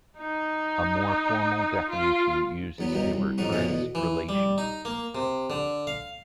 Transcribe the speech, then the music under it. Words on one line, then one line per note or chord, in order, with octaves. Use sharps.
A more formal definition uses a recurrence relation.
D#4
F4
E2 F#3 B3
G2 B2 D#3 F#3
C2
A1 F2 F#3 D#4 F#4
B2 D3 D#3 F3 A3 C#4
E2 B2
E3
G3
D#4
A#3
C3
D3
F5